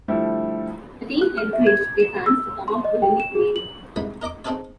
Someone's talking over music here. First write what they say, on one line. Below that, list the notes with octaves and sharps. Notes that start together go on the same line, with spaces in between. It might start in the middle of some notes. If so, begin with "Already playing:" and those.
The team encouraged their fans to come up with a nickname.
D3 F3 G3 A3 E4
F#6
F6
E5
G#6
E7
E6
C6
D#5
G5
E7
G#4
F#7
C2 G#2 D#4 B5
A#4 D#5 A#5 D6
C4 D#4 G#4 A4 B4 C#5